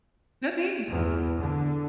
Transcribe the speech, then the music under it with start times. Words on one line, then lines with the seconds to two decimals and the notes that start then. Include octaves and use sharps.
Could be.
0.90 E2
1.40 D3